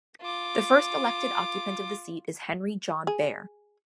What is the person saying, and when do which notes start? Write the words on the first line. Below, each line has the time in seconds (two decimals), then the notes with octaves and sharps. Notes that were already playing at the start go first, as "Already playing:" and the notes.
The first elected occupant of the seat is Henry John Bear.
0.22 F4 D6
3.07 G#4